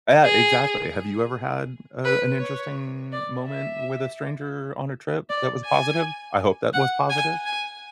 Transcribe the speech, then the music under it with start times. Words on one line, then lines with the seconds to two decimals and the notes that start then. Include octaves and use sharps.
Eh, exactly. Have you ever had, uh, an interesting moment with a stranger on a trip that was positive I hope that was positive?
0.24 G#4
2.05 B4
2.40 C#5
3.12 D5
3.48 E5
5.29 D5
5.65 G#5
6.73 F#5
7.10 G#5
7.46 G#5